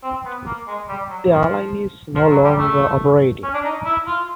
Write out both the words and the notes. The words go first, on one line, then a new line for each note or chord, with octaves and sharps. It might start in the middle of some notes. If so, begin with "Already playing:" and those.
The airline is no longer operating.
C4
B3
A#3
G#3
G3
F#3
F3
F3
F#3
G3
A3
C#4
D4
D#4
E4
F4